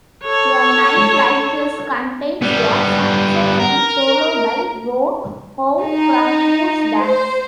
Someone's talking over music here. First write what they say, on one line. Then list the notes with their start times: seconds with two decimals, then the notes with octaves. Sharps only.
"A Night Like This" contains a saxophone solo by Ron Howe from Fools Dance.
0.23 A4 C#5
2.42 G3 B3
3.59 A#4
5.83 D#4
7.02 C5